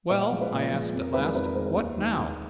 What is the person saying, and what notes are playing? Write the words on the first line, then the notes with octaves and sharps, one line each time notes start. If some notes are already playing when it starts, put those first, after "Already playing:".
"Well," I asked, at last, "what now?"
A#2 B4 D#5
D#5 F#5
F3 G#3 D5 F5
B4 D#5
A#2
F3 G#3
F2
A#4
D#3 G#3 B4
A#4 D5
F2 B4
A#4
D#3 G#3 B4
B4
D#2
D#3 G#3
D#2